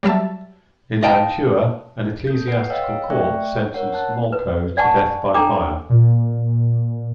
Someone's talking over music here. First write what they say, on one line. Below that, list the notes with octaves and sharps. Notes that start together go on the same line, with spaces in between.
In Mantua an ecclesiastical court sentenced Molcho to death by fire.
F#3 G3 E5 A5
D#5 F5 G5 A5
A4 G6
B4 F#5 C7 D7
C#5 D#5 F5 G5 E6
A3 D5 E5 G5 C#6 F#6
A#4 C#5 F#5
F#5 A5 F#6
B4
D5 F#5 G#5 A5 C#6
D4 A4 G5 A#5 D6
A#2